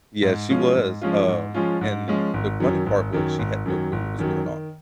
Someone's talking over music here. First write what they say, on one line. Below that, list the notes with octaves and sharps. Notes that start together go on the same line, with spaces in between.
Yeah, she was, um and the funny part was she had no clue what was going on.
G#2
F3 G#3 C#4 F4
G#2
F3 G#3 C#4 F4
G#2
F3 G#3 C#4 F4
G#2
F3 G#3 C#4 F4
G#1
F#2 D#3 F#3
G#1
F#2 D#3 F#3
G#1
F#2 D#3 F#3
G#1
F#2 D#3 F#3
D#3